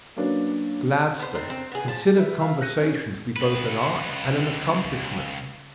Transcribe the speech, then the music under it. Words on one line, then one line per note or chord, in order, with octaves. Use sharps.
Gladstone considered conversation to be both an art and an accomplishment.
F#3 A#3 C#4 D4 A#4 B4
B3 C5
C4 D4 D#4
C4
B3 G#4
F3 A5
B4 E5
E5 F5 A5
F#6 G6 A#6 C#7 D#7
C#4
C#2 B4